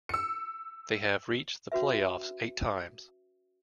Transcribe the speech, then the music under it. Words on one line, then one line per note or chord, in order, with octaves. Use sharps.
They have reached the playoffs eight times.
E6 C#7
C#4 F#4 B4 E5